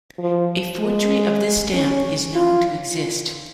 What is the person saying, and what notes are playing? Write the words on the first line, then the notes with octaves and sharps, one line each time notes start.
A forgery of this stamp is known to exist.
F3
G#3
C#4
F4